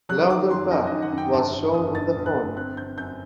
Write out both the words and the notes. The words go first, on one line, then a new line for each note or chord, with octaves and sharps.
Louderback was shown on the phone.
F#3 F#6
D#3 D6
F#2 C6
F#2 D#5
D#5
D#3
F#5
F#2
G5
G1 A5
G1
G1 D#6
G1 A6
G1
F#6
G1
C4 F#6
C4 G6
F#2 G6